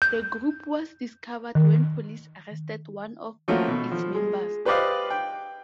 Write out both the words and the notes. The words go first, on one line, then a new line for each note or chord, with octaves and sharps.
The group was discovered when police arrested one of its members.
G6
D#3
F3 A3 A#3 C#4 F4 F#4
B2
F3
G#3
G4 B4 C5 D5 D#5 F5
G5